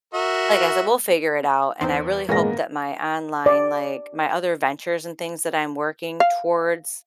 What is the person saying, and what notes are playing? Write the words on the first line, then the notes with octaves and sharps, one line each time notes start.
like I said, we'll figure it out. And I really hope that my online, like my other ventures and things that I'm working towards
F#4 A#4 E5
E2 C4 D#4 C5
G#1 A#2 E3 G#3 A#3 B3 C#4 A#6
D5
F5